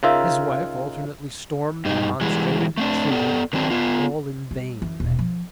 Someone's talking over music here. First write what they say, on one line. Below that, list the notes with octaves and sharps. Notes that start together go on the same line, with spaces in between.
His wife alternately stormed, remonstrated, entreated; but all in vain.
C#3 D#4 F4 A#4 E5
G2 D#4
E3 G3 G#3
A3 C4 D4
B3 A4 D5
D3 D#3 F#3 C4 D4
B3 F4
G3
E3
D#1 B2
F3